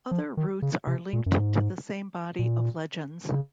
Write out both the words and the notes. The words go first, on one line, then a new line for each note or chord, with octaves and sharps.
Other roots are linked to the same body of legends.
F3
D#3
C#3
C3
A#2
F#2
G#2
A#2
C#3